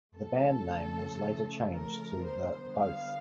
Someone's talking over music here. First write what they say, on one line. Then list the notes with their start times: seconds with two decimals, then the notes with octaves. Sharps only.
The band name was later changed to the Both.
0.15 C#3 F3 A3 A4
1.72 A#4
2.25 D3 G3 B3 C5
2.77 F5